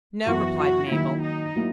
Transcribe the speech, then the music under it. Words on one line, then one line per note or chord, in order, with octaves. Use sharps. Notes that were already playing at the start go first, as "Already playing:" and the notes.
"No," replied Mabel.
F#2 E3 B3 E4 F#4
F#4
D#3 F#3 A#3 E4
D#4
F#3 A#3 E4